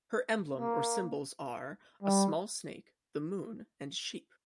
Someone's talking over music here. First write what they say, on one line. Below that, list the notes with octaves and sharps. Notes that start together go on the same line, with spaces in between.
Her emblem or symbols are, a small snake, the moon and sheep.
A#3
G3